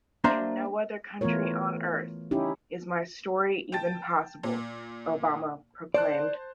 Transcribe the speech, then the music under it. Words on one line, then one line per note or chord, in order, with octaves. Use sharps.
"In no other country on Earth is my story even possible," Obama proclaimed.
A#3 D4 C5 E5 A#5 C6
E3 A3 B3 F4 A#4 C#5
C#4 D#4 E4 G4
G5 A5 A6
A#2
C5 D5 A5 F#6